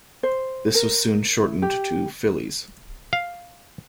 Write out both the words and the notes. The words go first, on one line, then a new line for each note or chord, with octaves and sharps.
This was soon shortened to "Phillies".
C5
A#4
E4
G4
F5